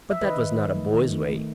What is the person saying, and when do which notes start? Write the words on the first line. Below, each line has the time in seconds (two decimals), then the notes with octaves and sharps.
But that was not a boy's way.
0.11 E5
0.22 D#3 B4 D#5
0.40 D#3
0.58 D#3
0.76 A3
0.94 D#3
1.11 A3
1.29 A3